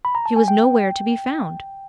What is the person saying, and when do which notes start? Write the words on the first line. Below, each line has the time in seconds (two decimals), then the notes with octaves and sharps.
She was nowhere to be found.
0.05 B5
0.15 A#5
0.26 A5
0.36 G#5
0.48 G5